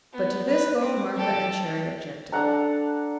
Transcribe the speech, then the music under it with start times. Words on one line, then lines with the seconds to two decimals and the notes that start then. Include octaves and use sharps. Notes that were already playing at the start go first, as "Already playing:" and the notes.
But to this both Martha and Cherry objected.
0.13 B3
0.48 B4
0.81 C4
1.17 G4 A4
2.32 D4 A4 F#5 A#5